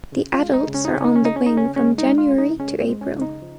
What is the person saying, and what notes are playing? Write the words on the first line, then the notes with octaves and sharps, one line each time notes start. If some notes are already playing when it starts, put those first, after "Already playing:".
The adults are on the wing from January to April.
C#3
F4
G#3
D#4
C#3
C#4
D#4
C#3 C#4
D#4
C#4
C#3 D#4
C#4
C#3 D#4
C#4
G#3 C#4
D#4
G#3
F4
C#3
D#4
G#3 C#4
C4
G#3
C#4
C#3
D#4
F3